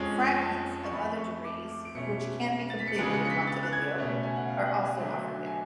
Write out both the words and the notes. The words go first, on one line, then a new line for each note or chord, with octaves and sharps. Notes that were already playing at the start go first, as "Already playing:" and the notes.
Fragments of other degrees, which can be completed in Montevideo, are also offered there.
Already playing: F2 F3 G#3 C#4
A5
C#6
F2 F3 A3 B5
C#6
D6
D6
D7
B2 A3 C#4 C#7
A6
B6
C#7
C#3 G#3 B3 D4 D7
C#7
C#7
B6
A6
F#6
G#6
B2 A3 C#4
G#5
F#5
F5
F#5
G#5
D3 F#3 A3 D4
G#5